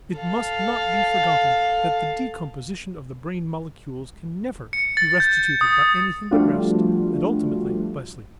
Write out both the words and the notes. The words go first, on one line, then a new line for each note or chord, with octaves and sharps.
It must not be forgotten that the decomposition of the brain molecules can never be restituted by anything but rest, and ultimately by sleep.
A4 F5
C#7
A6
G6
D#6
F3 G3 A3 D4 F4 F#4